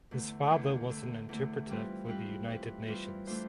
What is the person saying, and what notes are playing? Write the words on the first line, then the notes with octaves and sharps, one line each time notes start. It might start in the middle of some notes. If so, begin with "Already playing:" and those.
His father was an interpreter for the United Nations.
E2 D3 A3
E2 D3 A3
E2 D3 A3
E2 D3 A3
E3 G3 C4 F4 B4
E3 G3 C4 F4 B4
E3 G3 C4 F4 B4
E3 G3 C4 F4 B4
E3 A3 D4 F4 C5